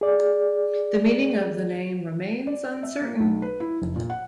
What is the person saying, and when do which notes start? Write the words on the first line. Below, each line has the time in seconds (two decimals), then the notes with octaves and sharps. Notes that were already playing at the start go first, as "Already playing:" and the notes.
The meaning of the name remains uncertain.
0.01 G#4 D5
2.47 D5
2.83 E5
3.02 A#3
3.20 B1
3.42 B4
3.60 E4
3.82 F1
3.96 A#2
4.10 F#5